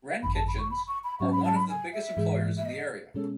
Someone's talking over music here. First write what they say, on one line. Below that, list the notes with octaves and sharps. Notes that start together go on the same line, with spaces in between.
Wren Kitchens are one of the biggest employers in the area.
G#1 F#2 D#3 B5
A5
B5
C#6
B5
C#6
B5
G#2 F#3 C#4 C#6
B5
A5
B5
G#5
E5
G#2 E3 G#3
E5
D#5
B2 G#3 C#4 A4